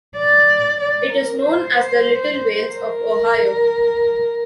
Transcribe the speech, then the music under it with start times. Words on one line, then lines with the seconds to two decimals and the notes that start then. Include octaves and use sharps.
It is known as The Little Wales of Ohio.
0.17 D5
0.80 D5
1.12 A#4
1.45 C5
2.73 A#4